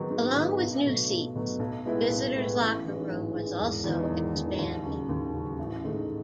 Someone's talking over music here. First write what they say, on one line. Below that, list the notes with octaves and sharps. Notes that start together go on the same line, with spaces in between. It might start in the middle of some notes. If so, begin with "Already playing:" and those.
Along with new seats, the visitors' locker room was also expanded.
Already playing: G#2 D#3 F#3 B3
G#2
D#3 F#3 B3
B1
B2 F#3 A3
B1
B2 F#3 A3
B1
A2 G#3 B3 E4
B1
A2 G#3 B3 E4
A1
G#2 E3
A1
G#2 E3
E1
E2 D#3
E1
E2 D#3
D#2
C#3 F#3
D#2
C#3 F#3
A1
G#2 D#3 A3